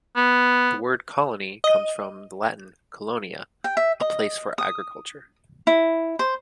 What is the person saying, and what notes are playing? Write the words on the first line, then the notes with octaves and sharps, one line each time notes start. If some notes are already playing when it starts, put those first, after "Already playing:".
The word "colony" comes from the Latin "colonia"-"a place for agriculture".
B3
D#5
G5
E5
D#5
D#6
E4
C5